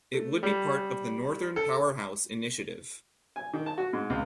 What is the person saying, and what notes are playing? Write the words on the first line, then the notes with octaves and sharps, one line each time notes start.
It would be part of the Northern Powerhouse initiative.
A3
G3
A4
G#5
D#3
A5
F#4
G#2
C#2